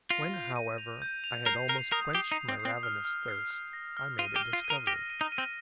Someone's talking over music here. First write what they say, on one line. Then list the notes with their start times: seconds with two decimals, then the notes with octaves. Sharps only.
When, however, I had almost quenched my ravenous thirst, I made a discovery.
0.10 F4 A#6
0.34 G6
0.56 D#7
0.78 F7
1.02 G6
1.24 F7
1.46 A#4 C7
1.69 A#4 C7
1.92 A#4 D#6
2.14 G4 C7
2.32 D#4
2.38 C7
2.49 C4
2.60 C7
2.65 C4
2.83 F6
3.05 F6
3.28 C7
3.51 F6
3.73 A#6
3.97 F6
4.19 F4 D#7
4.36 G4
4.42 G7
4.53 F4
4.64 D#7
4.70 A#4
4.87 G4 A#6
5.10 D#7
5.21 D#4
5.32 D#7
5.38 C4